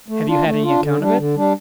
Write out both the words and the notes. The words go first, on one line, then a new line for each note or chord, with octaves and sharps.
"Have you had any account of it?"
A3
D4 F4
A3
D4 F4
D3
G3 D4
D3
G3 D4